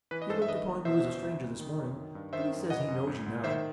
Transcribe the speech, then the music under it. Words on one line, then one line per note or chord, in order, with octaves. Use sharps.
He looked upon you as a stranger this morning, but he says he knows you now.
E3 B4
D#5
G2 A4 C5
E5
D#3 B4 D#5
D#2
B2 C5 E5
E2
C2
C2
D#3
F#2
D#3
G2
D#3 C5 E5
F#2
E3 D#5 F#5
F#2
C2
C2
D#3 C5 E5